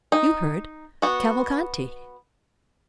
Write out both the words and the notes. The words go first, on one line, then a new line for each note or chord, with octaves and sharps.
"You heard--Cavalcanti."
D#4
B3 F#4